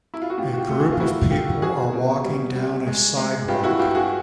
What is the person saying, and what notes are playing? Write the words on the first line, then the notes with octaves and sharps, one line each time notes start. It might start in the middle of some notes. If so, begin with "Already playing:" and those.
A group of people are walking down a sidewalk.
E4
F4
F#4
A2 F4 G4
F#4
F4 G4
A3
F#4 G#4
F4
A2 E4 F#4
A3 F4 G4
G3 F#4 G#4
B2
G3
G3
G#3
G#3
G2 F4 G4
E4 F#4
G2 F4 G4
F#4 G#4